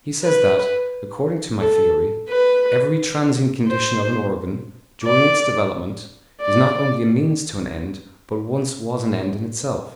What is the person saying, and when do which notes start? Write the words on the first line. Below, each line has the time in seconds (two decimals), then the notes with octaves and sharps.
He says that, according to my theory, "every transient condition of an organ, during its development, is not only a means to an end, but once was an end in itself."
0.23 B4
1.61 A4
2.29 B4
3.68 C5
5.04 D5
6.42 D5